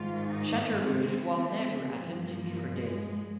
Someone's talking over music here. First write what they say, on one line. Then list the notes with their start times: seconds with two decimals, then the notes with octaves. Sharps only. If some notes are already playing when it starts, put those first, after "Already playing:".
Chaturbhuj was never attempted before this.
Already playing: G#2 D#3 F4
0.27 D#4
0.76 C4
1.74 G2 F3
2.24 A#3
2.73 G#3